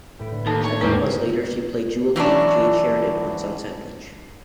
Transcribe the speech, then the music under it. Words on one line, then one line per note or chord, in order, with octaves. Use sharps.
Several months later, she played jewel thief, Jade Sheridan, on "Sunset Beach".
A2 B4 D7
D3
D#2 D#4 A4 A5
C#5
E2 G#2 D3 G#3 A#3 C4 D4
E3 F#3 C#4 D4